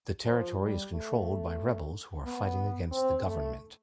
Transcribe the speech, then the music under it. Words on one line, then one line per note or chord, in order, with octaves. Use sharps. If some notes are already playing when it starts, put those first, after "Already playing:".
The territory is controlled by rebels who are fighting against the government.
F3
G3
A3
B3
C4
A3